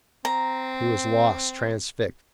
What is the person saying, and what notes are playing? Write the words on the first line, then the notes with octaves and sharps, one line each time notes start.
He was lost, transfixed.
C4 A#5